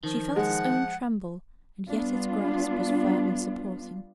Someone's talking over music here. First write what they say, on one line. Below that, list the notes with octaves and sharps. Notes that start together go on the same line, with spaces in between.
She felt his own tremble, and yet its grasp was firm and supporting.
D#3 F3
G#3 F#5
G3 B3 D4 F4